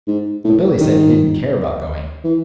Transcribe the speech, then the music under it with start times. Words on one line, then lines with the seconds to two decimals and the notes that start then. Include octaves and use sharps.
But Billy said he didn't care about going.
0.07 G#2
0.44 A2
0.80 D#3
2.24 E3